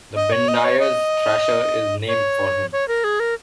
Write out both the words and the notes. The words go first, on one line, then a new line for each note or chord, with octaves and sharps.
The Bendire's thrasher is named for him.
D#5
C#5
D#5
C#5
D#5
C#5
C#5
A#4
G#4
A#4